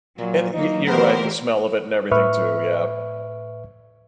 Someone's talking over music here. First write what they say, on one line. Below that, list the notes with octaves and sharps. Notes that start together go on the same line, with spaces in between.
And you're you're right, the smell of it and everything too, yep.
A#2 F#3
F#3 A#3 D#4
E3 A3 B3 G4 A#4 C5
A2 B4 E5 C#6 F6